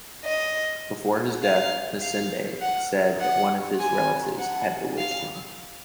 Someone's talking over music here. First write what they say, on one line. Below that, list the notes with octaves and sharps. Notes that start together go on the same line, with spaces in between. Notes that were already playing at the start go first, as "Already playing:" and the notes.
Before his death, Masinde said that one of his relatives had bewitched him.
D#5
F5
F5
F#5
F#5
G#5
F#5
F5